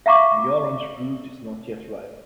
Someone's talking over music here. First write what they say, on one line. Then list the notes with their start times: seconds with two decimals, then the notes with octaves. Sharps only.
The orange fruit is not yet ripened.
0.06 E5 F5 A#5 C#6 D6